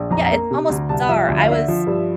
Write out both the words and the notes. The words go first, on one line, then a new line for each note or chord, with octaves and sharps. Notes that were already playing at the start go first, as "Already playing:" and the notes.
Yeah, it's almost bizarre, I was
Already playing: A#1
F2 A#5
A#5
A#3
C3
D2
C2 A5
F3 E5
D2 E5
F5
D3 E5
F3
G2